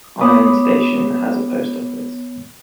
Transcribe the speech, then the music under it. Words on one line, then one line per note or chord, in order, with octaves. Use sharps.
Iron Station has a Post Office.
B3 C#5 B5 D6 D#6